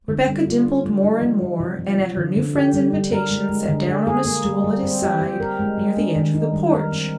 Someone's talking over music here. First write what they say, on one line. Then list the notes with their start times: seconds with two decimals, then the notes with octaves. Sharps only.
Rebecca dimpled more and more, and at her new friend's invitation sat down on a stool at his side near the edge of the porch.
0.08 D3
0.27 G3
0.46 F4
0.65 D4
0.84 G3
1.03 D#4
1.22 F3
1.42 F3
1.60 C3
1.79 F3
1.98 F3
2.17 D3
2.37 D3
2.55 G4
2.74 G3
2.93 G3
3.11 A#4
3.30 G#3
3.49 G#3
3.69 D3
3.88 G#4
4.07 G#4
4.25 A#3
4.45 G3
4.64 G3
4.83 C4
5.02 G4
5.21 G4
5.40 A#4
5.59 G#3
5.78 G#3
5.97 D4
6.16 D#3
6.35 D#4
6.54 G3
6.73 A#4
6.92 C4